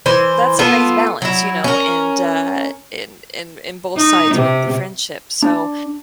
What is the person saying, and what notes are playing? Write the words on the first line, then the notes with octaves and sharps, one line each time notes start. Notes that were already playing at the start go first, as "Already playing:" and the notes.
that's a nice balance, you know, and, uh, in in in both sides with the friendship, so
E3 C5
B3 F4 A4
F#3 E4
C#4 A#4
D#4
C3
D4